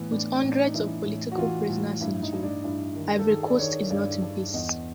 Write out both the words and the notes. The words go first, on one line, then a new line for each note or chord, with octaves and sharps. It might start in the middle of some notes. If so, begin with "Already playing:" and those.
With hundreds of political prisoners in jail, Ivory Coast is not in peace.
Already playing: A2 E3 B3
A2 D4
A2 C#4
D4
D#4
E3 E4
A2
F#4
E3 F4
A2
G2 E4
D#4
G2
D4
G2 E4
D#3
A4
D#3 G#4
D5
D#3 C#5
G2 D5
G2
E2 D#5